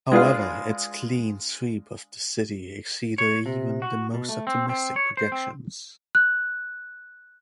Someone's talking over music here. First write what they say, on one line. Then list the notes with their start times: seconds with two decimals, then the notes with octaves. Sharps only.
However, its clean sweep of the city exceeded even the most optimistic projections.
0.12 G#3 D4 F4 G#4 B4 F5
3.18 C#5
3.46 C3
3.82 F#4
4.14 B2
4.29 A3
4.47 C4
4.69 C4
4.96 C#5
5.17 C5
5.32 C4
6.15 F#6